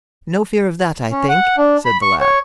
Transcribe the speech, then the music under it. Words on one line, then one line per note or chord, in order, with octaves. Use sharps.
No fear of that, I think,' said the lad.
C#4
F#5
D4
B5
C#6
C#5